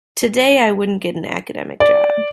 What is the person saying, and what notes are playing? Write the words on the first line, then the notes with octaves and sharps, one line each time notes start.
Today I wouldn't get an academic job.
D5